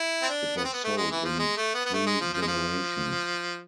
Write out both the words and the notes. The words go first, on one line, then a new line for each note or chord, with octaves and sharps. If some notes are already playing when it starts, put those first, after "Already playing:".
It was sold in three generations.
Already playing: E4
C4
D4
B3
C4
B3
A3
G#3
E3
F3
G#3
A3
B3
B3
A3
G#3
F3
F3
G#3
F3